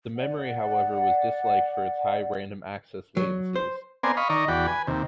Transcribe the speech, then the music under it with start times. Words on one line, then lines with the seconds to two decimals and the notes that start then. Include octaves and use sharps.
The memory, however, was disliked for its high random access latencies.
0.16 D5 F#5
3.17 F#3
3.56 C5
4.03 B3 C4 A#4 D5 G#5 C6
4.17 D#5 F5 B5 C#6
4.29 D#3 D5 D#5 A#5 C#6
4.48 E2 F#4 D5 G5 B5
4.67 B4 G#5
4.87 D#2 C3